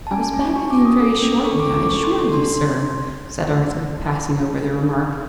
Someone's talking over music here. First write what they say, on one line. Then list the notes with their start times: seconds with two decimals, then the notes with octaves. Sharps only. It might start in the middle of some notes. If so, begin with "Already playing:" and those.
"I was back again very shortly, I assure you, sir," said Arthur, passing over the remark.
0.07 A5
0.11 C#4 G#5
0.33 C#4
0.56 F#4 C#6
0.71 D6
0.78 C#4
0.85 D#6
1.00 A4 D6
1.22 C#4
1.44 A4 C#6
1.59 D6
1.66 C#4
1.74 D6
1.89 A4 C#6
2.04 C6
2.11 A4
2.19 C6
2.33 D4 C6